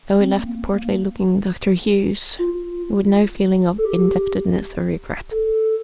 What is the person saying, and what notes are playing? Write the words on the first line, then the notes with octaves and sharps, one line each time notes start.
So he left the portly-looking Dr. Hughes, with no feeling of indebtedness or regret.
C4
A#3
A#3
F4
A4
G4
A4